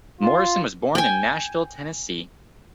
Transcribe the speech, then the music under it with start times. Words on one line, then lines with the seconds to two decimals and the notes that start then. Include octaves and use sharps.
Morrison was born in Nashville, Tennessee.
0.21 F4
0.95 G5 G#5